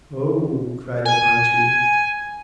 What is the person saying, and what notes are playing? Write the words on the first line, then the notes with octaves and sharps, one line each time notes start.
"Oh!" cried the pine tree.
G#5